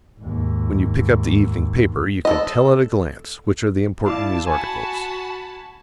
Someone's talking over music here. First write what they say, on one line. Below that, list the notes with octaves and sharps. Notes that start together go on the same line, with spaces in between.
When you pick up the evening paper you can tell at a glance which are the important news articles.
D#2 G#2
A4 D#5
E4 D5 F5 A5
F#4 G#5 A5 B5